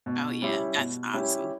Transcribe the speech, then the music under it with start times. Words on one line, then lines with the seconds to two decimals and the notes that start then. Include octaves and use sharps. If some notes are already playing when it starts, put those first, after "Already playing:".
Oh, yeah, that's awesome.
0.06 B2
0.42 G3 C#4 E4 G4
0.77 B2
1.13 G3 C#4 E4 G4